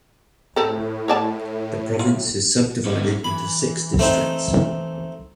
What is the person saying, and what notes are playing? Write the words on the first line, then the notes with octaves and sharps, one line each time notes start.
The province is subdivided into six districts.
A2 C4 A4
C#5 D5 A5
F4
G3 A3 C#4
E3 B5
A3 C4 D#4